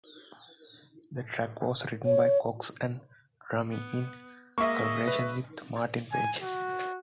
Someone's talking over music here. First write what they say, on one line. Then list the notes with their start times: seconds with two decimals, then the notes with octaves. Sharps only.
The track was written by Cox and Drummie in collaboration with Martin Page.
2.05 C#5
3.71 B3
4.58 G#3 A#3 D#5 E5 C#6
5.08 B4
6.13 G#5
6.42 F#4